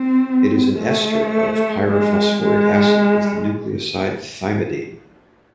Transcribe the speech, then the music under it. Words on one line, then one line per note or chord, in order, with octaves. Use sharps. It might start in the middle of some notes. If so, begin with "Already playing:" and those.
It is an ester of pyrophosphoric acid with the nucleoside thymidine.
Already playing: C4
A3
G#3
G#3